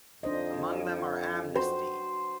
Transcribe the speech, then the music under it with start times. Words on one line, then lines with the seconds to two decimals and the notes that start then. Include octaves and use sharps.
Among them are Amnesty!
0.23 F2 D4 C5 D#5
1.55 F#4 C5